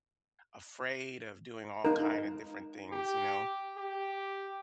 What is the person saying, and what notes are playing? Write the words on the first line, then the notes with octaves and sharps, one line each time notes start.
afraid of doing all kinda different things, you know?
D#4 A#4
G4
G4